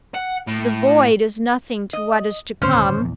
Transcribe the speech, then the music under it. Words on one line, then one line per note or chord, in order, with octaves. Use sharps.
"The Void is nothing to what is to come."
F#5
A2
D#5
D#1 G#1 D2 C#4 C5
A#1 E2